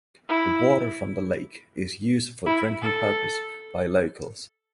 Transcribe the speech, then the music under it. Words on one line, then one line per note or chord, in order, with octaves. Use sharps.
The water from the lake is used for drinking purpose by locals.
E4
E4
A4